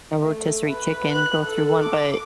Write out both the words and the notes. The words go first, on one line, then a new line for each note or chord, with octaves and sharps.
A rotisserie chicken go through one, but
A3
B4
F#6
A4
D6